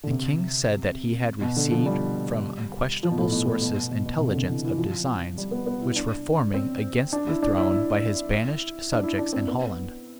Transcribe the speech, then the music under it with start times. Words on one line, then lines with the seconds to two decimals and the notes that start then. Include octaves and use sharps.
The King said that he had received from unquestionable sources intelligence of designs which were forming against the throne by his banished subjects in Holland.
0.03 D3
0.10 C3
1.41 B2
1.56 D3
1.71 F3
1.86 G3
3.03 F3
3.11 B2
3.18 A2
3.32 B2
3.47 A2
3.62 B2
3.76 B2
3.91 B2
4.06 B2
4.21 C3
4.28 D3
4.35 C3
4.50 E3
4.65 E3
4.78 F3
5.38 G3
5.51 B3
5.66 B3
5.81 E4
5.96 D4
6.54 C4
7.13 D4
7.28 E4
7.43 D4
7.57 E4
7.71 E4
8.92 D4
9.03 E4
9.18 D4
9.33 C4
9.48 B3